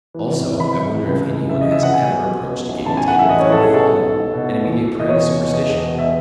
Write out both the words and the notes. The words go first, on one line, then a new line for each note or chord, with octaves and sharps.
Also, I wonder if any one has EVER approached a gaming-table without falling an immediate prey to superstition?
E3
G#1
E3
G#1 B5
E3
E3
C#2
E3
C#2
C#3 E5
D#5
E3
E5
C#2 F#5
B2 G#5
F#3
F#3
B2
B2
B1
A1 A5
A1 G#5
F#5
A2 E5
A1 D#5
C#5
E3
A4
A1 G#4
B2 A4
B1
B1
B1
B2
B1
E2
E2
E2
D#5
E2 C#5
B2
E2
B2 D#5
E1
B2
E5